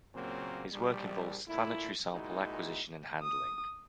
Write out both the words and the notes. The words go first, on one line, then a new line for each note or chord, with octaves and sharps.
His work involves planetary sample acquisition and handling.
A#2 C#3 F#3 A#3 C4
A#1 G3
A#2 A3 E4
A#2 G#3 D#4 E4 F#4
D#6